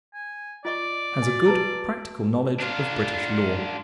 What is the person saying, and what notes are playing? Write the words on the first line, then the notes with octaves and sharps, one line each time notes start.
Has a good practical knowledge of British law.
G#5
F4 D5 D#5 C#6
F#4 G#5
B4 A5 A#5
D4 F4